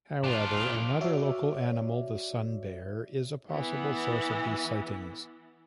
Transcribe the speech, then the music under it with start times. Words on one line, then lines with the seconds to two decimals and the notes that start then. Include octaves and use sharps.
However, another local animal, the sun bear, is a possible source of these sightings.
0.24 D4 F4
1.00 F#4 C#5 D5 E5
3.52 E3 B3